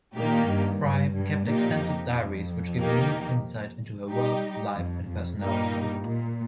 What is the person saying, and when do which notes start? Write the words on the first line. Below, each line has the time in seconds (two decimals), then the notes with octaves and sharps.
Fry kept extensive diaries which give unique insight into her work, life and personality.
0.15 A#2 D#3 A#3 D#4 G4
0.47 G2
0.81 G2
1.13 G2
1.46 A#2 F3 A#3 D#4 G4
1.80 F2
2.78 D#3 A#3 D#4 G4
4.10 G3 D#4 G4
4.76 F2
5.09 F2
5.41 G2 A#2 G3 A#3 D#4 G4
6.08 A#2